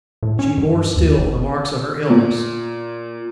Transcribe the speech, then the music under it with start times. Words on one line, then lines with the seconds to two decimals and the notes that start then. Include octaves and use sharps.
She bore still the marks of her illness.
0.23 A2
0.39 C#4
0.58 G2
0.96 D#2
1.18 G1
2.09 A#2